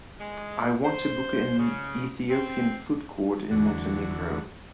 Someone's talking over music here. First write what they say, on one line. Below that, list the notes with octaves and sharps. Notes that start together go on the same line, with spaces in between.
I want to book a ethiopian food court in Montenegro.
G#3
C5
C#3
C4
E2 D3 F#4